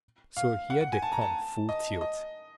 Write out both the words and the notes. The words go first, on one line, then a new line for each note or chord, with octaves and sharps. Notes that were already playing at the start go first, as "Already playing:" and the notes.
So here they come, full tilt.
F5
F#5
F#5
G#5
A5
A#5
A5
D#5
D#5